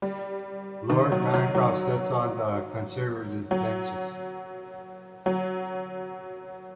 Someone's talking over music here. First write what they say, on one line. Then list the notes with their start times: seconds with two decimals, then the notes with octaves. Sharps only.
Lord Mancroft sits on the Conservative benches.
0.02 G3
0.90 D#3
1.12 F#3
1.33 F#3
1.55 F#3
3.51 F#3
5.26 F#3